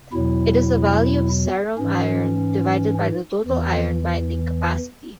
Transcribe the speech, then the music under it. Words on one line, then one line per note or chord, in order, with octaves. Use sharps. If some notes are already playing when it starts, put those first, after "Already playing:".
It is the value of serum iron divided by the total iron-binding capacity.
E2 B2 F#3 E4
G#2 E3 C#4
E2 E3